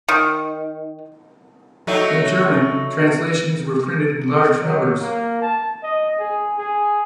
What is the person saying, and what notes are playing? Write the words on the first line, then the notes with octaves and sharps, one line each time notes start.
In German, translations were printed in large numbers.
D#3
F#3 A3 D#4
F#3
A#3
A5
D#5
G#4
G#4